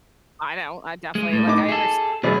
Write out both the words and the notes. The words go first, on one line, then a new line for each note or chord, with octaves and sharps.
I don't, I definitely, like, I understa
G#3
A2
D#4 D6
G#4 A4
E2 B2 F#3 G#4